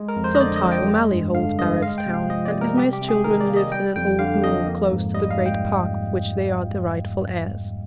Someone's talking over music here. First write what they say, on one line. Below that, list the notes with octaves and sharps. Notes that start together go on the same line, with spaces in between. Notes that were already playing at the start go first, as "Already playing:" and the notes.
So Tighe O'Malley holds Barrettstown, and Ismay's children live in an old mill close to the great park of which they are the rightful heirs.
Already playing: G#3
A#4
F2
C5
D#5
D3 D5
D#5
F2
G5
G#3
G2
D3 F5
G2 D#5
G#3 F5
G5
C3
F5
F3 D#5
D5
C3
A#4
G3 G4
G4
C3
G#4
D#3 A#4
D5
A#3
D#5
G3 G5
F2 G5
D3 F5
F2 D#5
A#3
G#2
G3 D#5
F5
G#2
G5